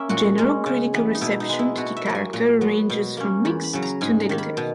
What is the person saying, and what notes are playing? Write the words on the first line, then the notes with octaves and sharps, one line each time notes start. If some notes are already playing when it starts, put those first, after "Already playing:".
General critical reception to the character ranges from mixed to negative.
Already playing: A#3 C#4 E5
A#2 F#4
G#3 C#4
C#3
E3 B3
D#4
B2 E4
D#4
G#3 B3
E4
B2 F#4
E5
F#3 A#3
G#5
A#2 A#5
F#3 B3
B2
A#3 C#4
E2 B5
B5
C#3 F#3
A#5
G#2 G#5
A#5
D#3 A#3
B5
B2